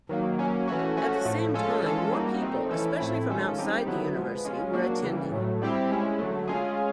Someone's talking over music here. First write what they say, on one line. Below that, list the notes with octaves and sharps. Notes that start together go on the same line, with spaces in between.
At the same time more people, especially from outside the university, were attending.
D#3 F#3 A#3
F#3 A#3 C#4
E3 A3 C#4 F#4
F3 A3 C#4 F#4
A2 F3 A3
G#3 C#4 F4 A4
E3 G#3 C#4 F4 A4
G3 A#3 D#4 F#4
F3 A3 C4 D#4
E3 A3 C#4 E4 A4
A2 F3 A3 C4 E4
D#3 G#3 C#4 F4 A4
G3 C4 D#4 G4
D3 F#3 B3 E4
F3 G#3 B3
G#3 C#4 F4
F#3 A#3 D4 F#4
C#3 E3 G3
A2 F#3 A3
G3 C4 E4 G4
G#3 C#4 E4
D3 F#3 A3
G#3 C#4 F4 G#4